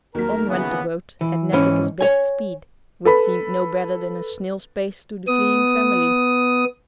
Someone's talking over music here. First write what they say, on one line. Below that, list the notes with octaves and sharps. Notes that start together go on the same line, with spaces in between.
On went the boat at Netteke's best speed, which seemed no better than a snail's pace to the fleeing family.
D#2 F#3 A#4 B6
C#3 E3 B3
E3
G#2 E3 C#4
C#5 G#5
A4 B4 B5
B3 D#6